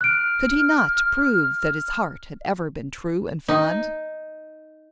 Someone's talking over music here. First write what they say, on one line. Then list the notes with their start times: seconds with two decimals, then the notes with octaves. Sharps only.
Could he not prove that his heart had ever been true and fond?
0.01 F6 F#6 D7
3.48 D#4